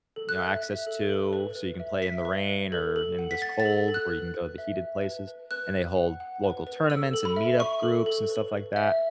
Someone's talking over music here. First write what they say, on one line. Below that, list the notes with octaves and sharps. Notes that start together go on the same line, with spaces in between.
you know, access to, so you can play in the rain or in this cold, where you can go to the heated places, and they hold local tournaments and meetup groups and stuff like that.
A4
F#6
E5
E5
A4
A4
B4
B4
E5
E5 B6
B4
B4
A4
A4
F#5
B6
F#5 A6
A6
A4
A4
F#6
B4
B4
E5
E5
B4
B4
B4 F#6
B4
F#5
F#5
B4
B4
A4 E6
A4
B5
E5
E5 C#6
A4
A4
B4
B4
E5